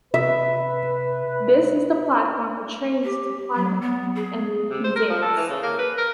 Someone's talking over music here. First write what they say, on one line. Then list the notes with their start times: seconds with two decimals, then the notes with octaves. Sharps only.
This is the platform for trains to Plymouth and Penzance.
0.14 C3 B4 E5
3.04 G4
3.55 F#3
3.82 B3
4.15 G#4
4.70 C3
4.84 C5
4.96 A#4
5.09 F3
5.22 A4
5.37 E3
5.49 C#3
5.63 A#3
5.79 B4
5.98 A#4